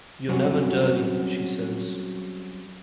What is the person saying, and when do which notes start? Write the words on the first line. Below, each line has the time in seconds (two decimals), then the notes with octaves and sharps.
"You're never dirty," she says.
0.29 F#3 G3 C4 C#4 F#4 G#4